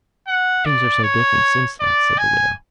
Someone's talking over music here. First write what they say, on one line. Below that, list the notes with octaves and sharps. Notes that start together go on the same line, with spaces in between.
"But things are so different since that," said the widow.
F#5
D5
C#5
D5
G#5